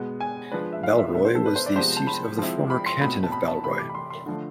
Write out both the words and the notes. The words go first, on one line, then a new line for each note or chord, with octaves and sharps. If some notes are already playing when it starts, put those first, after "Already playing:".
Balleroy was the seat of the former Canton of Balleroy.
Already playing: B2 G#3 B3
G#5
F3 G#3 D4 B4
E5
F5
E5
B2 G#3 B3 D4 E5
C5
A4
B4
C5
D5
C3 F3 G#3 B3 C5
A5
B5
F3 G#3 C4 E4
B5
C6
B2 A3 C4 B5
A5
B5
A5
C3 E3 A3 B5
D6
B5
C6
C6
D3 F3 A3